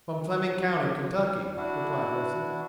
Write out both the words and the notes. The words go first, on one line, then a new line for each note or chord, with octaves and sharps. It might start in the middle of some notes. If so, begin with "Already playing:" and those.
"From Fleming County, Kentucky," replied Wilson.
D4 E4 F#4